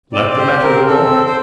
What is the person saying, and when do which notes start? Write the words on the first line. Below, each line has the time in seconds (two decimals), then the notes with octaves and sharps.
Let the matter go on.
0.13 C4 D5
0.31 D5
0.38 G4 C5
0.62 C4 A#4
0.87 C4 A4
1.11 C4
1.27 C5